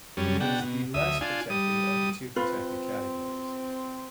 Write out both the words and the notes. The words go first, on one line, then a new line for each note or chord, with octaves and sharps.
It is the less protected of the two protected categories.
F#2 G3 C#4
B2 D4 F#5 G5
B2
D2 E5 D#6
D4 F4 G#5
G3 D#6
C4 F4 B4